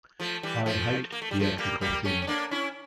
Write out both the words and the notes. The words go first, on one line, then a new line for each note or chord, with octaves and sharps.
I hate theatrical things.
F3 A3
E3 G3
F3 A3
A#3
A3
G3
F3 A3
G3 A#3
G3 A#3
A3 C#4
C#4
A#3 D4
C#4 E4